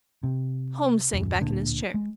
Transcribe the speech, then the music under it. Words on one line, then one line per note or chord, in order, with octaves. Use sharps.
Holmes sank back in his chair.
C3
D#1 F#2
D1 A#2 D3
G#3